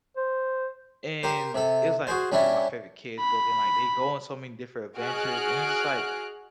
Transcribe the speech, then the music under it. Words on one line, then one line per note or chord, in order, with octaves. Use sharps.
And it was, like, one of my favorite kids' book, and, like, they go on so many different adventures, and it's just like,
C5
G4 A#4 C5
C3 A4
F#4 G#4 C5
G3 C#4 D4 E4
B5
F#4 G#4 D#5 F6 F#6 D7